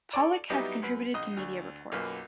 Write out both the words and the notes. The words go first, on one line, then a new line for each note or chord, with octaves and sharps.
Pollak has contributed to media reports.
A4 C#5 D5
F#3 G3 B3 D#4 E4 G4
F#2 B4
A#1 D#5
D2
B1 F#2 A#3 F4 B4